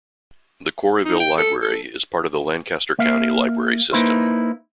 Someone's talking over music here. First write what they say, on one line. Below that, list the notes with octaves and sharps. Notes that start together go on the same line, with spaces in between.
The Quarryville Library is part of the Lancaster County Library System.
D#4
G5
A4
A4
A#3 E5 F5
A#3 D#4 E4 B4 C5